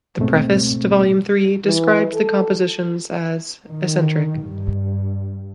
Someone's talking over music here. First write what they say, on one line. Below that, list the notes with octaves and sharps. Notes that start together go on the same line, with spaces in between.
The preface to volume three describes the compositions as "eccentric".
C#2 G#2 B2 A3 C4
E3
A4
D#3
G2